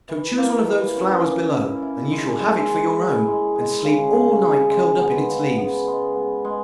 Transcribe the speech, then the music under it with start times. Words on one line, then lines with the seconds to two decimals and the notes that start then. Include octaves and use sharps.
So choose one of those flowers below, and you shall have it for your own, and sleep all night curled up in its leaves.'
0.09 E3
0.38 A#3
0.67 E3
0.96 C#4
1.25 A#3
1.53 E4
1.82 E4
2.11 G#3
2.40 G#3
2.69 G#3
2.99 E4
3.27 G#3
3.56 G#3
3.85 C#3
4.14 C#3
4.43 C#3
4.71 G#3
5.00 B3
5.29 C#3
5.57 B3
5.87 G#3
6.15 B3
6.45 G#3